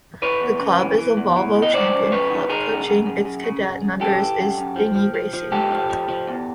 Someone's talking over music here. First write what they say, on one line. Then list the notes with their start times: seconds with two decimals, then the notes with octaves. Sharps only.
The club is a 'Volvo Champion Club' coaching its 'Cadet' members in dinghy racing.
0.22 E3 B4 C#5
0.41 E2
0.60 C#3
0.79 E3
0.98 E3
1.17 E2
1.36 E3
1.55 E2
1.62 D#5
1.73 D#3 C5 D5
1.93 F#2
2.11 F#2 B4 C#5
2.30 D#3
2.49 D#3 G#4 A#4
2.68 F#2
2.88 F#2
3.06 F#2
3.25 F#2
3.44 C#3
3.63 F#2
3.82 F#2
4.00 F#2 G4 A4
4.20 E3
4.39 F#2
4.58 F#2
4.76 F3
4.95 F3
5.14 F3
5.34 F3
5.52 G#2 G4 A4
5.71 F3
5.90 F3
6.09 F3
6.28 E2